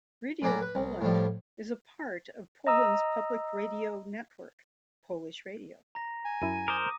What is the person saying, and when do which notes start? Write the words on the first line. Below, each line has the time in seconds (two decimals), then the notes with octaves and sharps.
Radio Poland is a part of Poland's public radio network - Polish Radio.
0.42 A2 F#3 C#4 D5 A#5 B5
0.61 B4
0.75 C2
1.01 A2 F3 G3
2.67 D#5 A#5 D#6 E6
5.95 A#5 A#6
6.25 G#5
6.42 F#2 E4 D#7
6.68 A#4 C5 D6 D#6